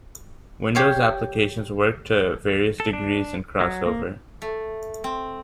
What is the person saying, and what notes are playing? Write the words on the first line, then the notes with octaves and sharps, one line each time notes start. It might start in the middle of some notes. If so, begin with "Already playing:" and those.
Windows applications work to various degrees in CrossOver.
G4 C#5 F5
A4
D4
F#3
A#3
A3
C4